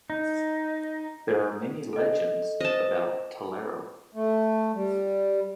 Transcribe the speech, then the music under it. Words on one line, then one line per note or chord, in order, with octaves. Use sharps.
There are many legends about Tellaro.
D#4
A4 D#5
C5 D#5 A5
A3
G3